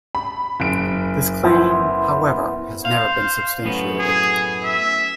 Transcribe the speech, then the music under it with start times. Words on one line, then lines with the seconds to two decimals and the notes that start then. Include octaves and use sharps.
This claim, however, has never been substantiated.
0.15 B5
0.60 F#1 D7
1.43 B3 E4 C5
2.85 C5 F5
3.65 F#2 A2 B3
4.00 G#4
4.64 E5